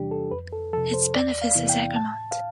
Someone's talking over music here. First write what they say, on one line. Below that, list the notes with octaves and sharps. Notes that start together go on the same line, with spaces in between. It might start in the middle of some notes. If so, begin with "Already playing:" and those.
Its benefice is Egremont.
Already playing: E2 C3 E3 G3 D4 G4
A4
F2 B4
A4
C3 F3 A4
C5
E2 D5
F5
C3 E3 B3 E4
G5
A2 A5
F5